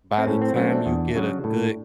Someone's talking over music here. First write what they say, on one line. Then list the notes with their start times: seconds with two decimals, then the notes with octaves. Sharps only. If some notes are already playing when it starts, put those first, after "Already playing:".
by the time you get a good
0.18 C4
0.26 A2 C#4
0.42 C4
0.56 F#3 A3 C4 C#4
0.71 D4
0.86 E2
1.15 C#3 F#3
1.44 A2